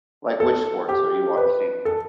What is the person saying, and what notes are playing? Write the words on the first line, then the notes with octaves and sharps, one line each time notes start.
like, which sports have you watch seen?
A4
G4
B4
A4